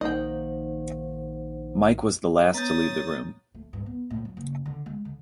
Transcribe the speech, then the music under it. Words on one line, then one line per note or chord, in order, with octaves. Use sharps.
Mike was the last to leave the room.
A#1 D#3 A#3 D#4 C5 D#5 F#5 G5
B3 C#4 A#5 D#6 G6 A6
A3
G2
B3
A2
F#2
F#1
D3
G#3
D3